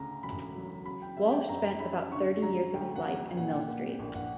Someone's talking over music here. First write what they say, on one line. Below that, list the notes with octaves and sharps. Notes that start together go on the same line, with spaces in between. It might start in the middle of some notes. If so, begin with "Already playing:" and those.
Walsh spent about thirty years of his life in Millstreet.
Already playing: D2 C#3 A#5
E1 B5
F#3
C#3 B5
G5
G3 E5
G5
F#2 A#5
C#4 B5
D3 C#6
F#3 A#5
D2 G5
F#5
C#4
A#2 F#5
G5
F#5
A#3
A#1
F#5